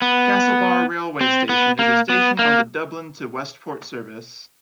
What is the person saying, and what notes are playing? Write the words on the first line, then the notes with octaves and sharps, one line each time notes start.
Castlebar railway station is a station on the Dublin to Westport service.
B3
C4
B3
A#3
B3
A#3